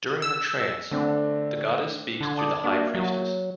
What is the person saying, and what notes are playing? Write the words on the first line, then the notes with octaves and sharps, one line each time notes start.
During her trance, the Goddess speaks through the High Priestess.
E6
D3 A3 C4 D4
D3 D4 C6 G#6
A5 D6 D#6
A#3 D4 F#4 E5
F#3